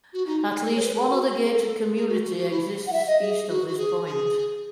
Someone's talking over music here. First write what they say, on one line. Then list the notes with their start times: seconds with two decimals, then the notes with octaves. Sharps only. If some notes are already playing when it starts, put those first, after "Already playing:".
At least one other gated community exists east of this point.
0.13 F#4
0.27 D#4
0.69 G#4
0.77 C#5
0.83 B4
0.97 G#4
1.11 F#4
1.43 G#4
1.53 A4
1.81 G#4
1.95 G#4
2.09 F#4
2.23 F#4
2.36 F#4
2.51 E4
2.87 F#5
2.93 E5
3.07 D#5
3.21 G#4
3.49 F#4
3.67 F#4
3.77 G#4
4.05 G#4